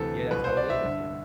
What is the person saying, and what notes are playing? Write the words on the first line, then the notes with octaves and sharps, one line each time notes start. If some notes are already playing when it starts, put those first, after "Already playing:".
Yeah, that's how it is. Yeah.
Already playing: D2 C3 E3 A4
C2 B2 B4
C5
D5
E5
G2 D3